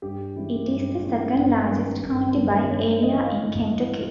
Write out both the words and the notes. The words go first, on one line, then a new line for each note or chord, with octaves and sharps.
It is the second-largest county by area in Kentucky.
G2 G4
E3 G#3 C#4 E4
G2
E3 G#3 C#4 E4
G1
F#2 D#3 G3 B3
G1
F#2 D#3 G3 B3
G2 C#5
E5
E3 G3 D#5
F5
G2
E3 G3